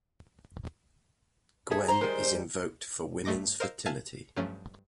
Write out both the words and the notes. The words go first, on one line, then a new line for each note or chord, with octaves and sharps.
Gwen is invoked for women's fertility.
G#4 A4 E5
C5 A#5
D#3 G3 G#3 A#4
G2 A3 D#5 D6 A#6
A#4 C5 D#5 F5 E6
E5 F5 G#5 A5 G#6 D#7
G2 F3 F#3 A3 C#4